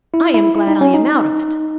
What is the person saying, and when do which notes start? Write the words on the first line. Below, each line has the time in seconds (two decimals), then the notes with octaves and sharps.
I am glad I am out of it.
0.14 E4
0.34 E4
0.56 E4
0.67 D#4
0.81 C#4
0.94 D#4